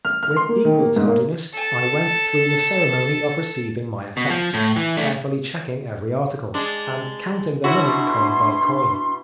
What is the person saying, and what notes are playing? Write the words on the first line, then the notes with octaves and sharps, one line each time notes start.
With equal tardiness I went through the ceremony of receiving my effects, carefully checking every article, and counting the money coin by coin.
F6
F6
C6
A#3
D#3
A#3
G#2
A#3
A4 A5
B2
F3
A2
E3
A3 D4
G#3 D4
B2 D4 E4 F#4 C6